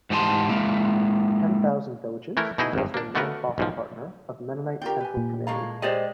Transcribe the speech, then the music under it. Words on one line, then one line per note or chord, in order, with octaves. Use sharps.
Ten Thousand Villages is also a nonprofit partner of Mennonite Central Committee.
G#2 E3 G4 D#5 A5 C6
G#3 A#3 E4
E3 A3 E4 A#4
B2 D#4 E4 G#4 D#5
G#1 G2
A#3 D4
D3 A3 B3 F#4 A#4 B4
B1 G#2 F3
D4 F4 G4 A#4 G5
B4 G#5
A#2
A2 G#3 A#3 F4 F5 A#5
G#3 G4 C5 D5 D#5